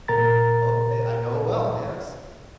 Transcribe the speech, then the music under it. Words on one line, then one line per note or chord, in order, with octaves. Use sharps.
Okay. I know it well, yes.
A#2 A#4 A#5 A6